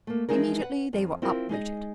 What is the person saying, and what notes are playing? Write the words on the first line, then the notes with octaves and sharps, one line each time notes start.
Immediately they were uprooted.
A3 A#3
E3 F3 G#3 D#4 G#4 A#4
B4 F#5
F2
C4 E4 F4 A#4
G#3 D#4 G#4 D#5